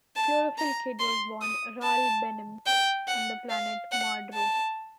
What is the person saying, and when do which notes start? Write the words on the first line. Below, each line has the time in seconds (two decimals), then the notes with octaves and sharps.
Chlorophyll Kid was born Ral Benem on the planet Mardru.
0.16 A5
0.58 A#5
0.99 C6
1.41 D#6
1.83 A5
2.66 G5
3.08 F#5
3.50 F5
3.92 F#5
4.33 A5